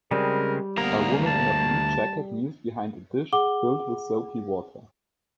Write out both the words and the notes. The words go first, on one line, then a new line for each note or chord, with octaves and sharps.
A woman in a blue jacket kneels behind a dish filled with soapy water.
C#3 G3 G#3 C4 A#4
D2 A#3 B3 A#4
A5
G#4 F#5 D6 G7